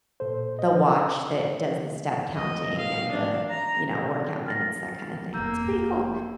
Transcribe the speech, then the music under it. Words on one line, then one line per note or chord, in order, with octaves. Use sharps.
the watch that does the step counting and the, you know, workout minutes, that kinda thing. It's pretty cool.
A#2 A4 C5
D#5
D#5
F5
D4
A#5
F6 A6 A#6
F1 G3 A#3 A#5 E6 G6